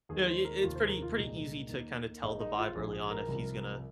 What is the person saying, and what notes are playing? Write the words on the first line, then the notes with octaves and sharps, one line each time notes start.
eh i it's pretty pretty easy to kinda tell the vibe early on if he's gonna
D#2 D#3 G#3 G#4
C5
A#4
F1 D#2 D#3 F4
C5
G#4
A#4
F4
C2 A#2 G#3 D#4
D#2 D#3 A#3
G#1 G#2 G#3 D#4
D#4
F4
A#1 G#2 F3 G#4
G#4
A#4
C2 C3 F3